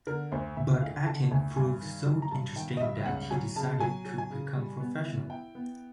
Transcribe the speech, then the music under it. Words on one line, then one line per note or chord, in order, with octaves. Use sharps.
But acting proved so interesting that he decided to become professional.
D3 A#4
D2 C5
D2 E5
D3 F5
D3 A5
D2 G#5
G2 G#5
D#3
F#3
A#5
G2 A5
D#3 G5
D#5
G2 E5
C#2 F#5
F#3 G#5
C#3 A5
F#3 G#5
F#3
G#5
C#3
G3
B3
E4
E4 G5
B3